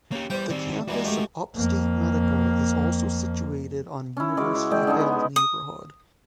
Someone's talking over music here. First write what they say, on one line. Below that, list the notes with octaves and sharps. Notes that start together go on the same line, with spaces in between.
The campus of Upstate Medical is also situated on University Hill neighborhood.
C#3 A#3 G4
E2 G3 C5 G5
D#3 G3 C4
E3 G3 G#3 F#4 A#4
G#3 A3 G4
F2 A#3
C#4 E4
C#3 G#3 F#4 D6
E4
G#3 C#4 D5 G5
D3 G#3 C#4 D#4
B3
D#6